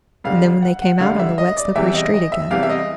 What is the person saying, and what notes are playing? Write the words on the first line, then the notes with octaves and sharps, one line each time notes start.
And then they came out on the wet, slippery street again.
F2 D3 G3 F5
F#5
F#5
F2 D3 G3 F5
E5
D#5
D5
E2 C3 E3 G3 E5
D#5
D#5
E5
E2 C3 E3 G3 F5
E5
D#5